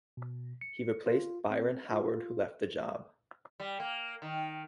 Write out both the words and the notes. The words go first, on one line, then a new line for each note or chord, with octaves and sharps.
He replaced Byron Howard who left the job.
B2
C#7
F4
C4
F4
G3
A#3
D#3